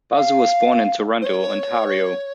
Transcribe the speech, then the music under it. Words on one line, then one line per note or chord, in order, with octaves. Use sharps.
Bauza was born in Toronto, Ontario.
F5
C5
C#5